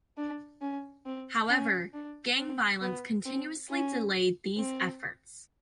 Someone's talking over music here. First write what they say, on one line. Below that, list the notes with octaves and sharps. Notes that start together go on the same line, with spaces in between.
However, gang violence continuously delayed these efforts.
D4
C#4
C4
C#4
D4
C4
B3
C4
C#4
C4